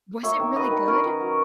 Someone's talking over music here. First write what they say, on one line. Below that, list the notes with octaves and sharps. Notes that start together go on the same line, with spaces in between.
Was it really good?
A#3 C#5 E5
D#3
F#3 B4 D#5
D#3
C#4 A#4 C#5
D#3
F#3